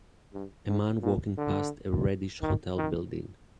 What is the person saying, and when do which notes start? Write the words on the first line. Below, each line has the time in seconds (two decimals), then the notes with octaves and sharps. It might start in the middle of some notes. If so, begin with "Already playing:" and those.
A man walking past a reddish hotel building.
0.34 G2
0.68 G#2
1.03 A#2
1.38 D3
2.42 D#3
2.77 D#3